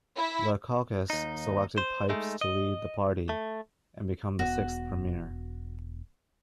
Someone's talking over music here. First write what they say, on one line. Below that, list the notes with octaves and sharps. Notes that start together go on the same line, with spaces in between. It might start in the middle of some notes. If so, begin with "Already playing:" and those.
The caucus selected Pipes to lead the party and become the sixth Premier.
E4
D#2 D#4
C5
G#3 A3 D#4
D#5
A3
E1 B3 F#4